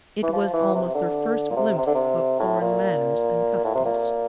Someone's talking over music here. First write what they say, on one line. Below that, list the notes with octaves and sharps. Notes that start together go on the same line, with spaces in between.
It was almost their first glimpse of foreign manners and customs.
E3
F3
E3
C3
D3
A#2
C3
C3
D3
C3
A2
A#2
A2
C3
A#2